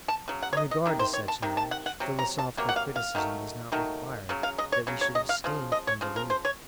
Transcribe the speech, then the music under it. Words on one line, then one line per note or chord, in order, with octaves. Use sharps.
In regard to such knowledge, philosophical criticism does not require that we should abstain from belief.
A5
C#3 F#3
F#5
C#5
D#5
D#5
C3 D#3
C5
C#5
A5
C3 D#3
A5
F#5
F#5
C3 F#3
A#5
A5
C3 F#3 A#3
F#5
F5
F5
D#3 F#3 A3
D#3 F#3 A3
C#3 F#3
F5
D#5
C#5
C#3 F#3
C#5
D#5
F5
C#3 F3
D#5
C#5
C#3 F3
A#4
C5
C#5